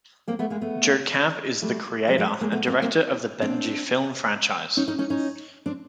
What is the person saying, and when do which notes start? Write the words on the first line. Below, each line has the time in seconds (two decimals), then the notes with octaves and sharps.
Joe Camp is the creator and director of the Benji film franchise.
0.28 A#3 C4
0.39 A3 B3
0.50 G#3 A#3
0.61 A3 B3
1.62 G3 A3
2.07 F#3 G#3
2.18 F#3 G#3
2.41 G#3 A#3
2.52 A3 B3
2.67 A#3 C4
2.82 A#3 C4
3.42 C4 D4
4.77 C#4 D#4
4.88 C#4 D#4
4.99 C#4 D#4
5.10 C#4 D#4
5.66 C4 D4